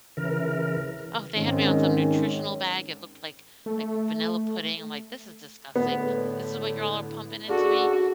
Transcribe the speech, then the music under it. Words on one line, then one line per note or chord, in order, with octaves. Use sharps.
Oh, they had me on some nutritional bag. It looked like like vanilla pudding, I'm like, "This is disgusting. This is what you're all pumping into me?"
C#3 E3 A#4
G#2 D#3 C4 C#4
A3
A2 D3 B3
C#4 D4 F#4 G#4 A4